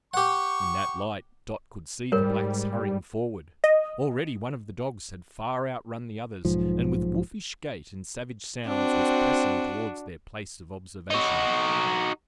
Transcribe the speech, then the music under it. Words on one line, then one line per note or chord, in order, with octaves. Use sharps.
In that light Dot could see the Blacks hurrying forward. Already one of the dogs had far outrun the others, and with wolfish gait and savage sounds, was pressing towards their place of observation.
G4 F#5 C#6
G#2 G3 A#4 C#5
D#5
B1 G#2 F3
C4 D4 F#4
D#4 F#4